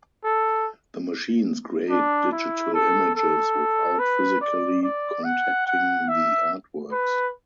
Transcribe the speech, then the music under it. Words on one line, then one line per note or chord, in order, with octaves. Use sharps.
The machines create digital images without physically contacting the artworks.
A4
D4
E4
A4
A4
B4
D5
D5
F#5
F#5
E5
B4